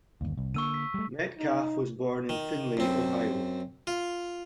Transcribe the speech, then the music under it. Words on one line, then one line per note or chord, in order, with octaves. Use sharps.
Metcalf was born in Findlay, Ohio.
G1 D#2
C2
D3 A#3 C#6 E6 D#7
B6
G3 A3
D#4
D#3
F#2 C4
F4